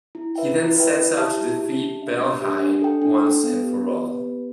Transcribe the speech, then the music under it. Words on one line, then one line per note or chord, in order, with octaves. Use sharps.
He then sets off to defeat Baelheit once and for all.
E4
B4 E5 G5
E4
B4 E5 G5
E4
G4 E5 A5
E4
G4 E5 A5
A3
D4 G4 E5
A3
D4 G4 E5
D4
A4 G5
D4
A4 G5
B3
G4 B4
B3
G4 B4
B3